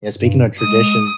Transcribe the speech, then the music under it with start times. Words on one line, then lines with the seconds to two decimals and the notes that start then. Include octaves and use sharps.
eh, speaking of tradition,
0.16 G2
0.59 G#3 D#6